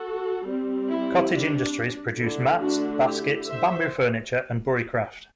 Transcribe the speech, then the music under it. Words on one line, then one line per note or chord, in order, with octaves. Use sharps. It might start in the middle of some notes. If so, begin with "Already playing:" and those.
Cottage industries produce mats, baskets, bamboo furniture, and buricraft.
Already playing: F#4 A4
G3 C4
E4
D4
D3 A3 D4 E4
D4 F#4
E4 G4
C5 E5